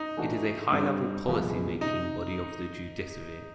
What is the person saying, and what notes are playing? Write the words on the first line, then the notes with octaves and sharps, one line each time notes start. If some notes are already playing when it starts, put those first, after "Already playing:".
It is a high level policy making body of the judiciary.
Already playing: D#4
E3 A3 D4 F#4
G2 D3 G3 C4
C2 A#2 F3 G#3 B3
C3 D#4